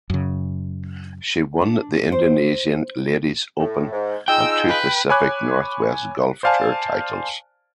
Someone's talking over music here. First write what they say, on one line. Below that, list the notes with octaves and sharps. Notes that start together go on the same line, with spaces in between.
She won the Indonesian Ladies Open and two Pacific Northwest Golf Tour titles.
F#2 C#3
D4
C5
A2
G#2
D#4 F4 G#4 G5 E6
B4
C#5 G#5 B5 D6 F#6
C5 D5 F5 G#5 A5